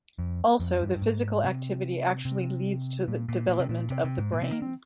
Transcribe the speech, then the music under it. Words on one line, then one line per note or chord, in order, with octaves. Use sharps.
Also, the physical activity actually leads to the development of the brain.
F2
F2
G2
G2
G#2
C3
C3
A#2
A#2
A#2
C3
A#2
C3
C3
G#2
A#2
C3
A#3
C4